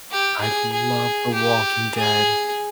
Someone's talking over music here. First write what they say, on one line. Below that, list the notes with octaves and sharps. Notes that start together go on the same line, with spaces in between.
I love The Walking Dead.
G4
G#4
G#4
G4
G#4